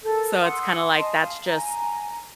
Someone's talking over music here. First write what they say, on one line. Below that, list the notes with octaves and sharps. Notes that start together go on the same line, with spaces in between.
so it's kinda like that's just
A4 A#4
F#5 C6 D#6 E6
D#5 G#5 A5 C6
F5
G#5 A#5